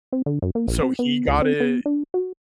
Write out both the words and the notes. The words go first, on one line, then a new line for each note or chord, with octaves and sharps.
So, he got it
C4
D3
F#2
A#3
A#1
C4
B3
C#2
C4
B3
D4
F#4